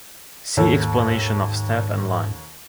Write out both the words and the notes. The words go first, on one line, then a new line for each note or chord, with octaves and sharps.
See explanation of staff and line.
D#2 G#2 A4